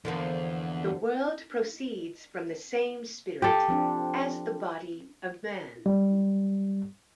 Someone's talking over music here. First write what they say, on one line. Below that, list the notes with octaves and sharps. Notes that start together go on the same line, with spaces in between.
The world proceeds from the same spirit as the body of man.
E2 D3 F3 A#3
G4 A4
F3 C4 D4
G3